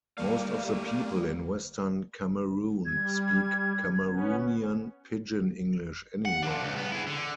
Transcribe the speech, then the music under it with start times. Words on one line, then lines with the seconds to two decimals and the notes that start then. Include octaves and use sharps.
Most of the people in Western Cameroon speak Cameroonian Pidgin English anyway.
0.17 G3 A3 A#3 D4 F5
2.86 G3 G#6
4.04 B3 C#4
6.25 F#5
6.43 F3 D4
6.63 C#2
6.76 G2 B3
6.92 E4 G#4
7.07 D3